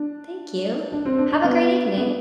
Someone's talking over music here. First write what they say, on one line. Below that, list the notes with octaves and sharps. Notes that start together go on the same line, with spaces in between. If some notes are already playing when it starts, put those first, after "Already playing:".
Thank you. Have a great evening.
Already playing: D4
D4
C4
D4
D4
B3
B3